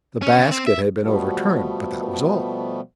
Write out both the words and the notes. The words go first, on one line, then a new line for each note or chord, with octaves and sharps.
The basket had been overturned, but that was all.
C#4
C#3
C4
E5
B2 F3 G3 A3 B3